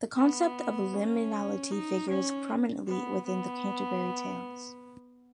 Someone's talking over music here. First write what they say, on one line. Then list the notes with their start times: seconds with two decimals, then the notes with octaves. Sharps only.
The concept of liminality figures prominently within "The Canterbury Tales".
0.17 B3
0.94 C#4
1.71 D#4
2.09 C#4
2.87 B3
3.26 B3